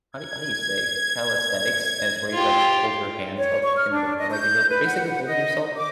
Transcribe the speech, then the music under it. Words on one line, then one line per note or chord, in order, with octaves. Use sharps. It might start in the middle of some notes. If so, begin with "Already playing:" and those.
how do how do you say it? Calisthenics, and it's where you, like, hold your hands up in the like, you're basically holding yourself
G#6
F4 G4
C#5
C#6
F6
D4
D#5
G6
B4
F#5
F#5
D#5
D6